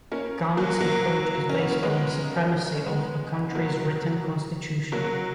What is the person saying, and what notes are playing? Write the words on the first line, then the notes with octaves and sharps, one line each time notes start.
Kant's approach is based on the supremacy of a country's written constitution.
A#3 C#4
F#3 A#3
F#3 A#3
C#4
B3
A#3
G#3 B3
C#4
G#3 B3
B3
F#3 A#3
F#3 A#3